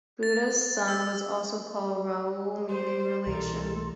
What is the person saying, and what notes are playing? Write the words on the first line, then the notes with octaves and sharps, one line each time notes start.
Buddha's son was also called Rahul, meaning "relation".
A6
E6
C5 C6
C2 B2 E3 A4 A#4